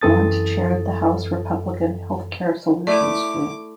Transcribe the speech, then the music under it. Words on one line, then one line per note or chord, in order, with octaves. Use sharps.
Blunt chaired the House Republican Health Care Solutions Group.
F#2 E3 C4 A4 D#6 A6
A3 E4 D5 D6